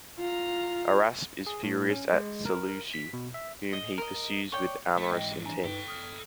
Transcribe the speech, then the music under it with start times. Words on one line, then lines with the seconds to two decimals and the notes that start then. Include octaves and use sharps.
Araspe is furious at Seleuce, whom he pursues with amorous intent.
0.19 F4 A#5
1.47 G#4
1.63 A2
1.90 C#4
2.13 G#3
2.46 A#4
2.94 B6
3.13 B2
3.34 E5
3.73 D#5
3.98 A#4 D#5
4.52 C#5 D5 G5
4.97 A3
5.11 G#2 E3 D#5 G5 A#6
5.45 D4 G#5 A#5
5.64 G2 D#4 A4 B4 G5
5.88 D#6 F6